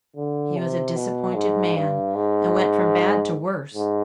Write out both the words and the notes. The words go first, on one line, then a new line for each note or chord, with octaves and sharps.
He was a disappointed man, and went from bad to worse.
D3
C3
B2
G#2
G2
G#2
G#2